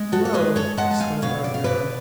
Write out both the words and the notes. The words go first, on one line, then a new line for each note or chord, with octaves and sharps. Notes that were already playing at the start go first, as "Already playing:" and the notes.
"Hello!" exclaimed our hero.
Already playing: G#3
F#4 A4
C#5
G#3 G#4 B4
A4 C#5
G#3 F#5 A5
A5
F5 G#5
B2 C#5 F5
D5
F5
B2 B4 D5